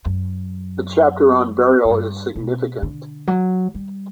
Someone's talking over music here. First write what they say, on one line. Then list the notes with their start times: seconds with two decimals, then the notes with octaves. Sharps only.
The chapter on burial is significant.
0.06 F#2
1.85 A2
1.90 G2
2.36 B2
2.83 D3
3.27 F#3
3.74 G3